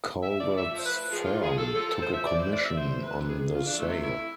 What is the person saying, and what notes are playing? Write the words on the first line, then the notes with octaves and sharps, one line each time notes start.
Calvert's firm took a commission on the sale.
A2 E5
F3 D5
A2 E5
F3
C5
A2 B4
F3 G#4
A2 F4
F3 G#4
A2 A4
F3 A4
A2 A4
C5
F3 E5
E3 D5
C5
C3
D5
F2 E5
F2 C5
E3
B4
C3
F2 G#4
F2 G#4
F4
E3 D4
C3 A3
F2
E4